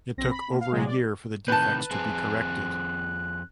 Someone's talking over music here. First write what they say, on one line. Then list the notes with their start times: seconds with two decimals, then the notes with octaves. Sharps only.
It took over a year for the defects to be corrected.
0.17 A#1 C4 A#6
0.31 B5
0.48 B2 A#3 F4
0.61 F5
0.72 C3 F#3 G#3
0.86 D5
1.48 A2 C3 D#3 B4 A5 G6
1.91 F2 C4 G#4 F#6